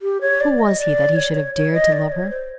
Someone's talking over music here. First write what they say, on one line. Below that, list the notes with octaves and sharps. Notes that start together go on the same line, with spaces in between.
Who was he that he should have dared to love her?
G4
C#5
D5
D#5
D5
C#5
C#5
C#5
D#5
D5
C#5
C5